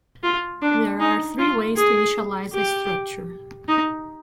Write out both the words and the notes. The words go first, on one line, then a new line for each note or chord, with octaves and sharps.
There are three ways to initialize a structure.
F4
D4
D#4
F4
G#4
G4
D#4